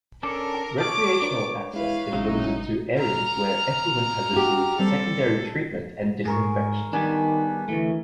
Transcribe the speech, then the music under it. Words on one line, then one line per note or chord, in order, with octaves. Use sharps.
Recreational access is limited to areas where effluent has received secondary treatment and disinfection.
C#4 D4 A4 A#4 D6 C#7
C#5 D5 A5 D6 D#6 F6
D4 A#4 B4
G#3 E4 B4 F5
A1 C3 F#3 G#3 C#4 D#4 E4
A#5 F6
F#4 G4
G3 C4 A4
G#2 G#4 A#4 C#6
D#3 G3 B3 D4 G#5
D2 E3 A3